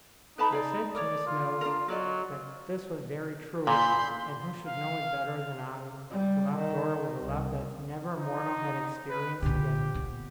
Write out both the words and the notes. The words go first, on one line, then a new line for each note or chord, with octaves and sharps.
I said to Miss Mills that this was very true, and who should know it better than I, who loved Dora with a love that never mortal had experienced yet?
D#4 B4 A5 B5
G#4 D5
A#4 C#5 D5
F4
D4 A#4
F#3 F#4 D5 D#5
A#2 B5 C6 G6
F5
G3
D#3
C2
D#4
B4
A#2 D3 G4
B3